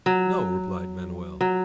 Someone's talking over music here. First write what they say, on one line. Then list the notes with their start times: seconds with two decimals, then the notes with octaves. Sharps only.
"No!" replied Manoel.
0.06 F#3
1.41 F#3